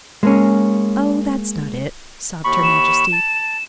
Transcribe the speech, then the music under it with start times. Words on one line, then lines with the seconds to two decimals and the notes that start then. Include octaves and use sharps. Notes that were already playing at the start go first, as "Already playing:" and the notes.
"Oh, that's not it!" sobbed her Majesty.
0.23 G#3 A#3 C#4
2.44 D#2 B5 C#6
2.63 E7
3.13 A5